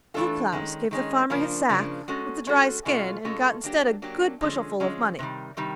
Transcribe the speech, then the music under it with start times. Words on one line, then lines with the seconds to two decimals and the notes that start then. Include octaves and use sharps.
Little Klaus gave the farmer his sack with the dry skin, and got instead a good bushelful of money.
0.14 E3 A3 D4 F4 A4
0.52 D#3 G#3 C#4
0.91 D#3 G#3 C#4
1.30 C#3 F3 A#3 D4
1.69 C#3 F3 A#3 D4
2.08 G#3 C#4 F#4 A4
2.47 G#3 C#4 F#4 A4
2.85 B2 G#3 C#4 F4 A4
3.24 B2 G#3 C#4 F4 A4
3.63 F#3 A#3 D4 G4
4.02 F#3 A#3 D4 G4
4.41 D3 F3 G#3 C#4
4.80 D3 F3 G#3 C#4
5.19 C3 D#3 G3
5.57 C3 D#3 G3